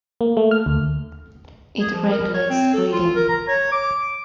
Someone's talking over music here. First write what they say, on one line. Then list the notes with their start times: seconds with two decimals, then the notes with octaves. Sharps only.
It regulates breathing.
0.21 A#3
0.37 A3
0.51 F6
0.66 D2
1.80 G#4
1.93 F3
2.11 A#4
2.34 C#5
2.50 C4
2.73 A4
2.92 F4
3.15 A#4
3.28 A#5
3.48 C#5
3.72 D6